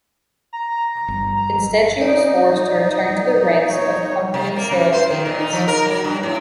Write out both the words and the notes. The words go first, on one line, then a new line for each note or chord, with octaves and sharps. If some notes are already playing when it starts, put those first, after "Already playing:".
Instead she was forced to return to the ranks of company sales agents.
A#5
G1
D#4 D5
C#5
C3
A#3
F#2
C5
D#3
A#2
D#4
F3
A#4
F#3
G2
A2